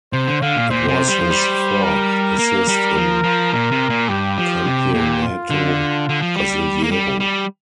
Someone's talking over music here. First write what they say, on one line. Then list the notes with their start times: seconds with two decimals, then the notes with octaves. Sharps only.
It was his fourth assist in Campeonato Brasileiro.
0.13 C3 C5
0.28 D3
0.42 D3 F5
0.56 A#2
0.70 A#2 C5
0.88 C3
1.08 G3
1.19 F3
1.30 G3
1.83 A#4
2.39 A#3
2.68 G3
2.97 F3
3.24 F3
3.53 A#2 A#4
3.71 C3
3.90 A#2
4.09 G2 G4
4.38 F3
4.66 C3
4.94 A#2
5.23 F4
5.50 D3
6.09 D3
6.22 F3
6.36 G3
6.84 A#3
6.91 G3
7.20 G3